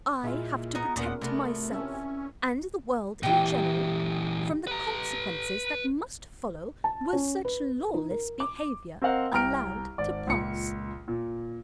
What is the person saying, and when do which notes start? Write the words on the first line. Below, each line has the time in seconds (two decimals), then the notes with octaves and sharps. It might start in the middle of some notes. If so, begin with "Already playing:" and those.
"I have to protect myself and the world in general from the consequences that must follow were such lawless behavior allowed to pass."
0.23 A#2 G#3 E4 F4
0.75 B3 D#4 A#5
0.96 D#2 A#2 B3 C#4 A#4 F#5
1.21 C3 A3 B3 A#4 D5
1.72 C4 C#4 E5 A5
1.93 G#5
3.23 A#2 E3 G4 G5
4.67 B4 A#5
6.84 A5
7.13 C#4
7.45 B4
7.94 D#4
8.11 A#4
8.40 D6
9.02 C4 A#4 C5 D#5 F5 F#5
9.32 C2 G5 A#5 F6 D7
9.98 G#1 D5
10.27 C#2 A#2 C#7
11.08 A#2